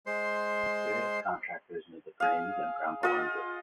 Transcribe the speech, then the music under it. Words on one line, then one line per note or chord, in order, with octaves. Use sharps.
Various contractors made the frames and ground the lenses.
G#3 C5 C6
G#4 F5
F4 D#5 F#5